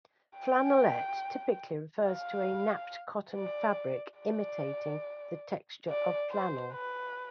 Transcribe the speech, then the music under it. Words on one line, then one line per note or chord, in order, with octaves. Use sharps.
Flannelette typically refers to a napped cotton fabric imitating the texture of flannel.
G5
F5
D5
D5
D5
C5
B4